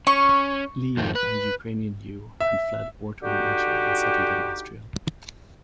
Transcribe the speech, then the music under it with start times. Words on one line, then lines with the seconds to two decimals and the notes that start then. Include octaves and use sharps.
Leo, a Ukrainian Jew, had fled war-torn Russia and settled in Austria.
0.07 C#4 C#6
0.97 F2 D#3 F3
1.15 B4
2.40 E5
3.23 D3 D#4 F#4 G4